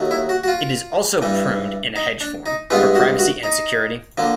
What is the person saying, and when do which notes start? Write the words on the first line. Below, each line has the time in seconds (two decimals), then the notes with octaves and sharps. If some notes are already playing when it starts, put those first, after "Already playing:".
It is also pruned in a hedge form, for privacy and security.
Already playing: D#2 D#3 F#3 A3
0.11 E4
0.29 F#4
0.44 F#4
0.48 F4
1.22 G2 E3 G3
1.96 D#4
2.21 D4
2.46 D#4
2.70 G2 E3 G#3 B3 F4
2.95 F#4
3.19 F#4
3.43 D#4
4.18 D3 F3 A#3